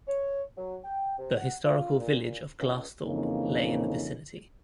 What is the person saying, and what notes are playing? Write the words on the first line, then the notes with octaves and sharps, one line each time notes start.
The historical village of Glassthorpe lay in the vicinity.
C#5
F#3
G5
C3
F#5
F4
A#2
C#2
F2 C#3 E3 A#3 C4 D#4